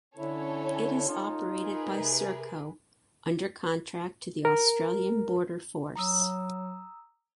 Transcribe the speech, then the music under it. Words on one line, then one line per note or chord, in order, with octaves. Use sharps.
It is operated by Serco under contract to the Australian Border Force.
D3 C#4 E4 A4 C#5
D#4 F4
G#4 A#4 B4
C3
A#4
F#3 A#5 D#6 E6